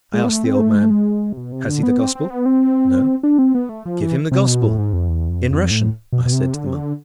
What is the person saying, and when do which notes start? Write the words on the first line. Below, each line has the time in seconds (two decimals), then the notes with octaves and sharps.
I asked the old man, "Has he the Gospel?" "No." "Give him the Gospel in Russian," I said to the monk.
0.14 G#3
0.24 B3
0.29 A3
0.44 C4
0.59 A3
0.75 G#3
0.83 A3
0.90 G#3
1.33 C3
1.37 B2
1.52 C3
1.68 D3
1.83 B3
1.99 C4
2.15 C4
2.30 B3
2.46 C4
3.23 D4
3.39 C4
3.55 B3
3.69 A3
3.86 F3
4.01 E3
4.32 C3
4.47 B2
4.63 A2
4.78 G#2
4.93 F2
5.09 E2
5.29 F2
5.50 F2
5.71 A2
6.12 B2
6.25 B2
6.33 C3
6.54 D3
6.66 C3
6.74 D3